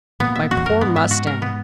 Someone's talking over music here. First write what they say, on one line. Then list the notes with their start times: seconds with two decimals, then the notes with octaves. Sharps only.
"My poor mustang!"
0.20 A#2 B3
0.35 E5
0.51 F#4
0.57 E2
0.66 F#2 A#4
0.81 G#2 B3
0.96 E5
1.11 F#4
1.27 A#4
1.42 B3